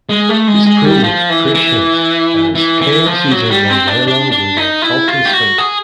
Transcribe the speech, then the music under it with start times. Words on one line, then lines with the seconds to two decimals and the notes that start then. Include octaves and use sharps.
This proved prescient, as Cairns easily won Lalor with a healthy swing.
0.09 G#3
0.29 A3
0.48 G#3
0.66 G#3
0.85 G3
1.04 F3
1.30 E3
1.54 E3
2.55 E3
2.81 E3
3.06 F3
3.31 F#3
3.50 G3
3.70 C4
3.87 D4
4.07 D4
4.31 D4
4.57 D#4
4.82 E4
5.08 F4
5.26 G4
5.33 F#4
5.58 G#4